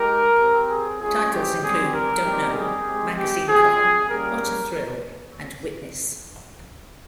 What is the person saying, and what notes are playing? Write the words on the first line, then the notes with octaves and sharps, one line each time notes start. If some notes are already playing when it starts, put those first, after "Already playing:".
Titles include "Don't Know," "Magazine Cover," "What a Thrill" and "Witness".
Already playing: G#3 D#4 G4 A#4
C4 G4
G#4
G#3 C#4 F4 G#4
G4
G3 C4 G4 G#4
A#4
G3 C4 D#4 G4
G#4
G#3 C4 G4
G4
C4 F4 G#4
G3 A#3 C#4 G4 A#4